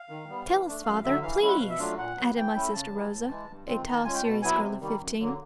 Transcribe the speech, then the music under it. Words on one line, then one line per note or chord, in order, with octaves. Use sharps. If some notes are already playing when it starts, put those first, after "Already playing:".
"Tell us, father, please," added my sister Rosa, a tall, serious girl of fifteen.
Already playing: F5
D#3
G3 B3
E3
A3 D4
F#2 F5
D3 F#3 E5
E3 F5
F5
G#3 C#4 E4
F#5
B2 F5
E5
F#3 A3 D4 F4 F5
A#2 F#5
F#3 B3
E3 G5
A3 C#4 E4
C#3 A5
E3 G3
A2
E3 G#3
G2
D#3 G#3 C4 F4
D#3 A#5
A5
G#3 C#4 F4 G#5
G5
B2 A5
F#3 B3 E4 G#5
C3
D#3 G3 A#3
F#2
D3 F#3 A#3